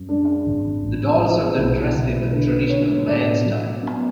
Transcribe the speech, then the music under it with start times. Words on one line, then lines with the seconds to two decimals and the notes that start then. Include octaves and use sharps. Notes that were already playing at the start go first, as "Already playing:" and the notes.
The dolls are then dressed in traditional Mayan style.
Already playing: F#2
0.09 G#3 D4
0.46 G#1
0.83 A1
1.20 G#3
1.57 B1 E4
1.96 B1
2.33 D3 B4
2.70 D3 C#5
3.07 A2 D5
3.45 F#3
3.83 B3